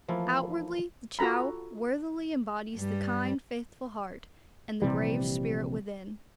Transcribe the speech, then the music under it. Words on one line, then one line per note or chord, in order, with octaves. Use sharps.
Outwardly, the Chow worthily embodies the kind, faithful heart and the brave spirit within.
E3 F3 A3 A#3 E4 F4
F4 F#4 A4 A#5 B5
G2 G3
A#1 C3 E3 G3